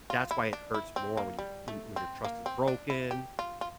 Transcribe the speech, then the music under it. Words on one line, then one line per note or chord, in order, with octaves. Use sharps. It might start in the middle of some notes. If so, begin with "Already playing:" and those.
that's why it hurts more when you when when your trust is broken,
F4
E4
D4
E4
C4
A#3
G3
A3
C4
A#3
C4
D4
E4
G4
F4
F4